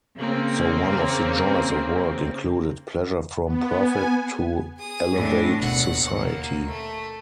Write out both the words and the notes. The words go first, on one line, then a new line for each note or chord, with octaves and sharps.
So one of the joys of work included "pleasure from profit" to elevate society.
C#3 A#3 C4
B3
G#5
G#4 D#6
A2 D4
F#1 D#2 B2 F#5
A#3
A3